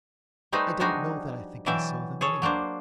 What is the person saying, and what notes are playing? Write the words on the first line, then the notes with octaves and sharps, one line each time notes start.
'I don't know that I think I saw them anywhere.
G3 A3 D#4 G#4 B4 C5
F3 G3 D4 D#4 F#4 G#4
B2 E3 F#3 D5 E5 G5
G#4 A4 C#5
F#3 A#3 D4 C5